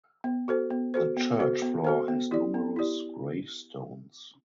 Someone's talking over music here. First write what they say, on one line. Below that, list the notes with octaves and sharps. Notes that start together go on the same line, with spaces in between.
The church floor has numerous gravestones.
B3
F#4 A4 C5
B3
F#4 A4 C5
B3
F#4 A4 C5
B3
F#4 A4 C5
B3
E4 G4 D5
B3
E4 G4 D5